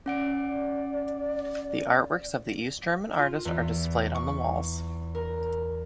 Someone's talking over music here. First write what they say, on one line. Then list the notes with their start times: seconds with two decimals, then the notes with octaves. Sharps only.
The artworks of East German artist are displayed on the walls.
0.06 C#4 D5 F#5 D7
3.18 F4
3.45 E2
4.15 C#6
5.15 A#4